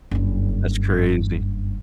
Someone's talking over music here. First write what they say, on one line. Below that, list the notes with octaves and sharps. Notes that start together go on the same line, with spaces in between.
That's crazy.
F#1 G2